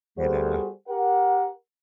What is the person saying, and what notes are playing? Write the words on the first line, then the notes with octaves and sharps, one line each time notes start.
you know.
G3 B3 F#4 G#4 A4 C5
G4 A#4 F#5